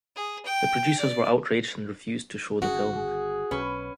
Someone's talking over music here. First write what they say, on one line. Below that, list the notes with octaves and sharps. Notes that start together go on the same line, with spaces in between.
The producers were outraged and refused to show the film.
G#4
G5
D5
G1 D#3 C#4 F#4 G#4
G#4
B1 C#4 B4